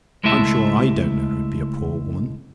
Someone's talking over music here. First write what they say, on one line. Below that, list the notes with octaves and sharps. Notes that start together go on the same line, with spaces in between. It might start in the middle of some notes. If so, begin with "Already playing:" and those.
I'm sure I don't know who'd be a poor woman!
C#2 G#3 A3 E4 E5 A5